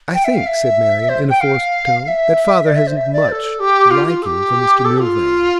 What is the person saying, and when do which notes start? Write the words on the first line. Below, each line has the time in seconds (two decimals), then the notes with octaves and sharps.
'I think,' said Marian, in a forced tone, 'that father hasn't much liking for Mr Milvain.'
0.14 G5
0.25 E5
0.35 F5
0.46 E5
1.09 C5
1.30 G5
1.40 F5
2.03 F5
2.07 E5
2.66 D5
2.76 E5
2.87 C5
2.97 E5
3.13 D5
3.28 C5
3.32 A4
3.60 G4
3.91 F4
4.07 F4
4.22 A4
4.26 G4
4.85 A4
5.00 F4